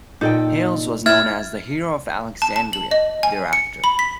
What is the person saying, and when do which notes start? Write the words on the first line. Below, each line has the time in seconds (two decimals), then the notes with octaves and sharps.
Hales was known as the "Hero of Alexandria" thereafter.
0.21 A#2 D#4 A4 G5
1.06 E4 F6 G#6 A6
2.42 A5
2.56 A5
2.73 F#7
2.91 D#5
3.23 G#5
3.53 C#7
3.84 B5
3.99 B6